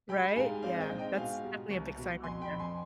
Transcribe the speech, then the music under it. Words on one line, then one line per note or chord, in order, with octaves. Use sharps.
Right? Yeah, that's definitely a big sign right there.
G3 G5 B5
G#2 F5 G#5
C4 D5 F5
D#5 G5
G#2
D#5 G5
B2 F5 G#5
G3
C2
B2
F2 G#5 C6
G5 B5
F2
G#5 C6